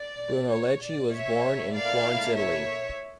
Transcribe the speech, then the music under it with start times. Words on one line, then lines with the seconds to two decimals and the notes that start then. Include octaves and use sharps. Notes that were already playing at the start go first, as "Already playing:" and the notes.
Brunelleschi was born in Florence, Italy.
Already playing: D5
0.53 C#5
0.83 D5
1.13 C#5 E5
1.74 A#3 E4 A4 D5 F5
2.35 C#5 E5